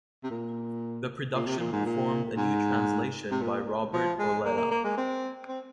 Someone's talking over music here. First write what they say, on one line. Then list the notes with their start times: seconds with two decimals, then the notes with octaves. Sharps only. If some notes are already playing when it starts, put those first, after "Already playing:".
The production performed a new translation by Robert Auletta.
0.23 C3
0.30 A#2
1.34 A#2
1.46 C3
1.59 A#2
1.72 G#2
1.85 A#2
2.37 G#2
3.31 C3
3.41 A#2
3.93 F3
4.19 G#3
4.45 A#3
4.57 A#3
4.70 A#3
4.84 G#3
4.97 C4
5.48 C4